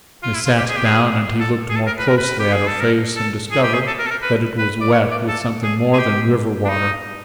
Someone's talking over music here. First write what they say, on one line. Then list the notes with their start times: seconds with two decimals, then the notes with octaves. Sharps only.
They sat down, and he looked more closely at her face and discovered that it was wet with something more than river water.
0.23 F4
0.34 E4
0.46 F4
0.58 G4
0.69 G#4
0.77 G4
0.86 G#4
1.40 A4
1.70 G#4
1.75 A4
1.87 A#4
1.98 B4
2.08 A#4
2.18 B4
2.39 G4
2.53 G#4
2.67 A4
2.81 A#4
3.16 A4
3.51 G#4
3.63 G4
3.74 G#4
3.87 A4
3.99 A#4
4.06 A4
4.11 A#4
4.22 B4
4.58 B4
4.81 D5
4.93 C#5
5.11 D5
5.28 A4
5.63 G#4
5.93 G#4
5.99 G4
6.65 D4
6.69 D#4